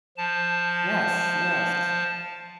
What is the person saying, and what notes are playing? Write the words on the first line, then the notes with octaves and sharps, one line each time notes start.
Yes, yes.
F3 A5